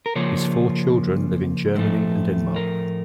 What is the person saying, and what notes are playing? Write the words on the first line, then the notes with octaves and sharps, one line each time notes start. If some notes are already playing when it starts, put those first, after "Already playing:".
His four children live in Germany and Denmark.
A#4
C#3 F3 A#3 C#5
A2 F3 A3
A#4